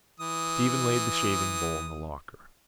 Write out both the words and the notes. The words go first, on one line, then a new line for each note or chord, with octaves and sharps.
Stephen laid the shavingbowl on the locker.
E3 D#6